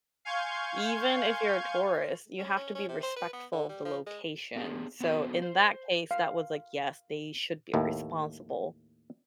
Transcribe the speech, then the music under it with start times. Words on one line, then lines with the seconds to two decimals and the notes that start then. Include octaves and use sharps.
even if you're a tourist, you have to be respectful of the location, so in that case that was, like, "Yes, they should be responsible."
0.25 F5 G#5 C6 C#6 G6 G#6
2.39 C#4
2.57 C#4
2.75 C#4
2.89 C3
3.03 C5
3.16 B4
3.33 B3
3.53 D3
3.69 G3
3.85 F3
4.06 G#3
4.56 B3 D4 G4 G#4
5.00 B3 C4 D4 F#4 A4 C5
5.42 C5
6.11 F5
7.74 D#2 A2